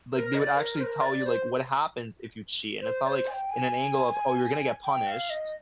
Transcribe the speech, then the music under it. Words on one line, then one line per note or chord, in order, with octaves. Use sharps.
like, they would actually tell you, like, what happens if you cheat, and it's not, like, in an angle of, "Oh, you're gonna get punished,"
C5
A#4
D#5
D5
A#4
C5
A#4
D5
C5
C5
D5
C5
G#5
G5
G#5
G5
F5
D#5